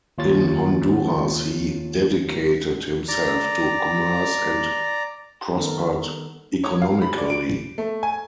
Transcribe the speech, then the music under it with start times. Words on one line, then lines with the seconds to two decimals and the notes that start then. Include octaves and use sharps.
In Honduras he dedicated himself to commerce and prospered economically.
0.18 D#2 F4 C#5 A6
3.08 D5 A#5
5.56 D#3 G3 B3 D#4 A4 A#4
6.64 C#5
6.82 F5
7.02 B5
7.18 D5
7.30 D7
7.78 A3
8.03 G#5